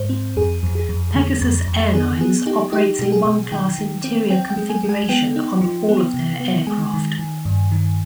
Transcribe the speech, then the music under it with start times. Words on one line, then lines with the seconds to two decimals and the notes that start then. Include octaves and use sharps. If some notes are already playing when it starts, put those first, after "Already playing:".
Pegasus Airlines operates a one-class interior configuration on all of their aircraft.
Already playing: G#2 C5
0.09 C4
0.37 F2 G#4
0.63 F2
0.75 G#4
0.89 F2
1.15 D3
1.41 F2
1.67 F2
1.93 B3 G#4
2.21 B3 G#4
2.46 D#4 G4
2.72 D#4 G4
2.99 B2 G4
3.12 G#4
3.25 B2
3.51 D#3 G5
3.78 D#3
4.04 C4
4.30 C4 G5
4.50 G5
4.57 G#3
4.69 G#5
4.83 G#3
4.89 G#5
5.09 B3 G5
5.36 D#4
5.61 F3
5.89 B3
6.14 C3
6.40 B3
6.67 G#3 G#5
6.94 D#3
7.19 D#3
7.45 G2
7.72 D#3